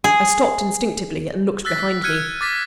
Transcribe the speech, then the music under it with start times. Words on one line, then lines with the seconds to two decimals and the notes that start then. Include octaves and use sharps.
I stopped instinctively, and looked behind me.
0.04 G#4
1.65 E6 F#6 A6 B6
2.03 F6 F#6 G#6 C#7 D#7
2.41 D6 A6 B6